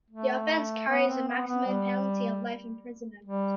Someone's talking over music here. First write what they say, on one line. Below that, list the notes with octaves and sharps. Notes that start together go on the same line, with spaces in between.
The offence carries a maximum penalty of life imprisonment.
A3
B3
C4
B3
B3
G3
G3